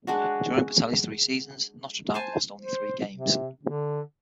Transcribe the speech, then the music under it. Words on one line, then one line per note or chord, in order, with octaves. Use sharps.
During Bertelli's three seasons, Notre Dame lost only three games.
G#3 D4 F#4
C5 G#5 A5
C5
C3
D3